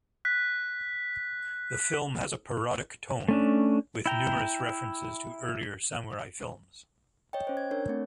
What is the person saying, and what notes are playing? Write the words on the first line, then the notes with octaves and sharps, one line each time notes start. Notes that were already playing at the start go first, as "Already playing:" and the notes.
The film has a parodic tone, with numerous references to earlier samurai films.
F#6 B6
A3 C#4 D4
E4 G5 A#5
C#5 D#5 G5
C#4 C5 G5
G#6
D4 A#4 C#5
A3 C4